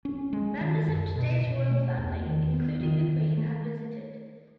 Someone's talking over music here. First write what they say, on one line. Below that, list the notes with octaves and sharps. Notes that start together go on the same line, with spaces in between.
Members of today's Royal Family, including the Queen, have visited.
C#4
G#3
D#3
F#2
B2
B2
A3
E2
D#3
B3
D#3
D#3
A3